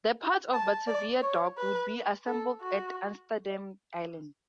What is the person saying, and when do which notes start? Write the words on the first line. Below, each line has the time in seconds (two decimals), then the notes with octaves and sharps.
The parts of "Batavia Dock" would be assembled at Amsterdam Island.
0.54 A5
0.87 D5
1.22 C#5
1.58 B4
2.27 A4
2.61 F#4